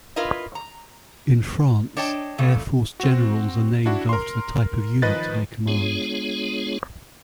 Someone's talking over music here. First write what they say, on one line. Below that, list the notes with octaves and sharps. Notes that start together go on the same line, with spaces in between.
In France, Air Force generals are named after the type of unit they command.
E4 F4 A#4 B4 D#5
A#5
D4 C#5 D#5 G5 A5
A#2 C#3 A3
C4 F#4
D4 E4 F#4
A#4 C6
D#3 F3 B4 D#5 A6
G#3 B3 D4 F4 G#4 C#5